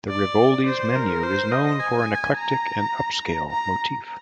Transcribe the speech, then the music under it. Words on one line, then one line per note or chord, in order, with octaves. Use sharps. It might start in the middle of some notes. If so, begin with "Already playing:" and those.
The Rivoli's menu is known for an eclectic and upscale motif.
D5
C5
A#4
C5
D#5
G#5
A#5
A#5